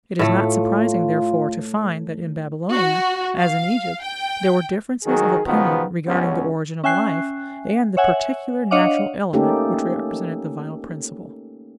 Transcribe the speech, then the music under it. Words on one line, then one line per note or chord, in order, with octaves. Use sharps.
It is not surprising, therefore, to find that in Babylonia, as in Egypt, there were differences of opinion regarding the origin of life and the particular natural element which represented the vital principle.
A2 A3 F4
F#4
F5
G5
D#3 F#3 G#4
C#2 B2 D#3 F3 B3
C#2 G2 C#3 B3 C#4
C#4 E5 G5 G#5 F#6 C7
C#5 E5 F#5 G#5
D4 C#5 D#5 F5 F#5 D6
A3 A#3 C#4 D#4 G4 A4